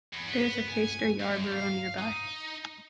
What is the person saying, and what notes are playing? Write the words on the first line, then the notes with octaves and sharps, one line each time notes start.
There is Caistor Yarborough Nearby.
E2
B3
G#5
F#2
F5
D#4